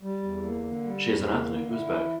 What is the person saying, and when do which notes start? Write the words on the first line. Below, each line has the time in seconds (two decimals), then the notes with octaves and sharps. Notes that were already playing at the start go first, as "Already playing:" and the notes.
She is an ethnic Uzbek.
0.01 G3
0.23 E2
0.43 A#3
0.64 D3
0.84 G3
1.05 E2
1.26 A#3
1.47 D3
1.68 E4
1.89 E3